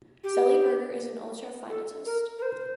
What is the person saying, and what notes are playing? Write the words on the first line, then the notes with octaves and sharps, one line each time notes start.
Zeilberger is an ultrafinitist.
G4
A4
A#4
A#4
C5